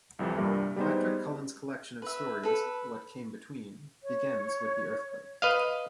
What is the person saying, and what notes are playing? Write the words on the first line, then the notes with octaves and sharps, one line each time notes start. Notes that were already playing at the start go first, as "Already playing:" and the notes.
Patrick Cullen's collection of stories, "What Came Between", begins with the earthquake.
C2 F2 C3 E3
C2 G2 A#2 G3 A#4
G3 G#3 B3 D#4 C5
B4 E5
A4 B4
C#5
B4 D#5 F5